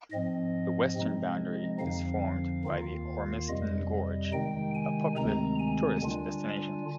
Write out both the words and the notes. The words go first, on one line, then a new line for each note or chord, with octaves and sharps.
The western boundary is formed by the Ormiston Gorge, a popular tourist destination.
G#2 F3 C4 D#5
C3 F3 G#3 C4 D#4
F2 D3 F3 C4 D#4 F5
D#2 D#3 A#3 F4
F2 C3 G3 D#5
C3 D#3 G#3 D#4 G5
G#5
D2 C3 D#3 G#3 C4 A#5
G#5
D3 G3 D4 F4 G#5